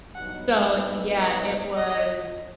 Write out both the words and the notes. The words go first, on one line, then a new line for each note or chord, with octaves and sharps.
so, yeah, it was,
G2 F#3 B3 D#4 F#5
E5
D#5
D#5